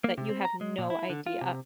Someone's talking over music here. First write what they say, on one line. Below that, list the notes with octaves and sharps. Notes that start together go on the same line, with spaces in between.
that you have no idea
A#3
C3
C4
A#5
G#3
A#2
E4
D3
F4
C3